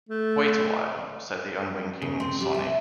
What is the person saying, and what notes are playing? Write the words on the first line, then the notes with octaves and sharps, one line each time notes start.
"Wait a while," said the unwinking Sonny.
A3
C#3
C4
G3
E5